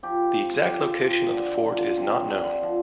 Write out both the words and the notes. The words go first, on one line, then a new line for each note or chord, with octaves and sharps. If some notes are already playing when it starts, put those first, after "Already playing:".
The exact location of the fort is not known.
F3 G4
C4
F4
F3
D3
F3
C4
D3
F3